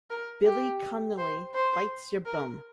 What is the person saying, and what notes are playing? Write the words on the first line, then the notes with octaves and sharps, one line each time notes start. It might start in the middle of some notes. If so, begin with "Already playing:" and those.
Billy Connolly Bites Yer Bum!
A#4
G4
C5
C5
A#4